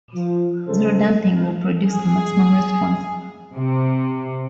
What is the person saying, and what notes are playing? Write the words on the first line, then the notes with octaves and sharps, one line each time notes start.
Zero damping will produce a maximum response.
F3
C#3 G#3 A4 C5
G#4
C3